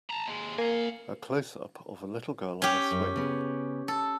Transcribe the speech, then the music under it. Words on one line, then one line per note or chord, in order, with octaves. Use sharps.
A closeup of a little girl on a swing.
A5 A#5
D#2 G#3
A#3 F5 G#5
C#4 G4
F#2
C#3 B3
A4